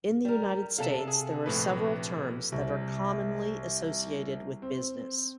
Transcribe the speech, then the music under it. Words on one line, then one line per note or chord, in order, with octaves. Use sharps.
In the United States, there are several terms that are commonly associated with business.
G3 A#4
C3 A4 F5 A5 E7
G#4
A#1 A2 B4
C2
C4